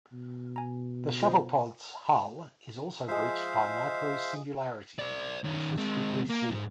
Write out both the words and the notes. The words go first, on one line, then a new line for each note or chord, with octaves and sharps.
The shuttlepod's hull is also breached by a micro-singularity, which they quickly seal.
B2
G#5 A#5
F4 C5
F3 G#3 C5 E5 F5
C5 D5
D#3 C#4
G#3 C4
A#3
F2 G#2